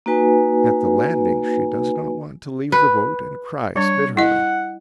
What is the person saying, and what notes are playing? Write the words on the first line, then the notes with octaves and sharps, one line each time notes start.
At the landing she does not want to leave the boat and cries bitterly.
A#3 D#4 F#4 B4 G#5
B4
G3 D4 C#5
E4 D#5 F#5